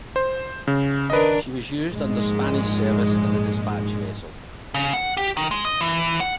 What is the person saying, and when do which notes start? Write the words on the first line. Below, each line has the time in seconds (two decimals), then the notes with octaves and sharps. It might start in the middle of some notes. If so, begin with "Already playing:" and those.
She was used under Spanish service as dispatch vessel.
0.16 C5
0.67 C#3
1.10 D#3 D4 A#4 B4 D#5
1.91 A#1 G#2 G#3
4.74 C#3
4.93 F#5
5.17 G4
5.37 D#3
5.51 G#3
5.65 D#5
5.81 E3
6.20 F#5